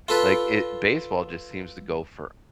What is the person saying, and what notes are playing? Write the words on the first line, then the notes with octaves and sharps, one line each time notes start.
like, it baseball just seems to go for
F4 A4 B4